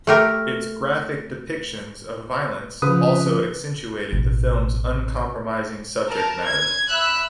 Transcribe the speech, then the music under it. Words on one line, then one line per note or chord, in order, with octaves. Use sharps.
Its graphic depictions of violence also accentuated the film's uncompromising subject matter.
A3 G4 A#4
C#3 F3 B4 D#6
A1 B2
A#4 A5
G#6
E5 B5 E6 F#6